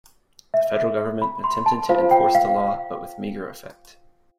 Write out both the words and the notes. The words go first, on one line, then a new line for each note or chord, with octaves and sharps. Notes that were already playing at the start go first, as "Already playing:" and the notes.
The federal government attempted to enforce the law, but with meager effect.
E5
B5
C6
A5
F4 C5 F5
G5
F5